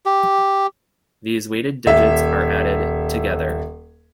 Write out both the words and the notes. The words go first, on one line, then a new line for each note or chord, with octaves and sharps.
These weighted digits are added together.
G4
D#1 E5